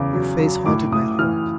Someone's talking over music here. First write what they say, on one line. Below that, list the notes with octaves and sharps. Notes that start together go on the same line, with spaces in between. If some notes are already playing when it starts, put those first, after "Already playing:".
Your face haunted my heart.
Already playing: E2 C#3 D6
F#3
F#3
A2 D6
A2 D#6
E3 F6